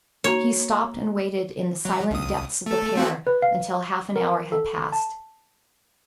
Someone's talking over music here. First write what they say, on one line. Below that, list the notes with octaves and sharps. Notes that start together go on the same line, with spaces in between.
He stopped and waited in the silent depths of the pear until half an hour had passed.
A#3 F#4 C#5 A#5
F#3
C#2 D#6
A3 A4
A3 C4 F#4
B4
F5
A#4
A4
A5